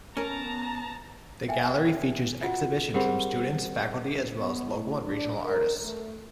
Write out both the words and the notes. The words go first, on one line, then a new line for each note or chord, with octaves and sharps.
The gallery features exhibitions from students, faculty, as well as local and regional artists.
B3 C#4 A#4 A5 A#5
E5 G5 G#5
F4 F#4 F#5
G3 C4 G#4 A#4 F#5
B3
A2
D4
A#4
A3